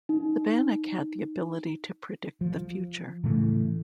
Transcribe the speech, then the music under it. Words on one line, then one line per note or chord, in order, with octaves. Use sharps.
The Bannik had the ability to predict the future.
D#4
F3
A2 C#3 E3 A3